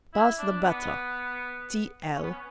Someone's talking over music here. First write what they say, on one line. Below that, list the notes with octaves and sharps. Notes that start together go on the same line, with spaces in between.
Pass the butter. T.l.
E4
D4
B3
C#4
B3
C#4